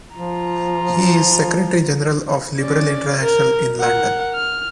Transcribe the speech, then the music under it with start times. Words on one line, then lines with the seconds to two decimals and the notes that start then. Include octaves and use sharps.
He is secretary-general of Liberal International in London.
0.14 F3 F4 A#5
2.60 C#4 D5
3.21 A#4
3.77 A#4 F#5
4.34 F6